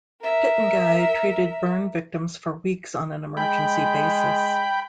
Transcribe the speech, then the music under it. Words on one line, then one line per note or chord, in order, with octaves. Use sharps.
Pitanguy treated burn victims for weeks on an emergency basis.
A#4 E5
G#3 G5 B5